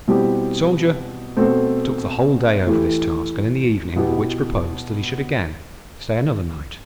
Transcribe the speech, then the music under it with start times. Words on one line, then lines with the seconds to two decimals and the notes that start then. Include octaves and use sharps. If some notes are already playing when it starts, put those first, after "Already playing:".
The Soldier took the whole day over this task, and in the evening the Witch proposed that he should again stay another night.
0.08 B2 G3 C4 E4 G4
1.37 B2 A3 C4
2.67 E3 A3 E4 G4
3.96 B2 B3 E4 G4